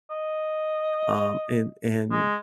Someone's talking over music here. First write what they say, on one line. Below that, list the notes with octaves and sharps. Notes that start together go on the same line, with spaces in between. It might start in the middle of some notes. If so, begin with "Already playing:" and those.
um, and and
D#5
G#3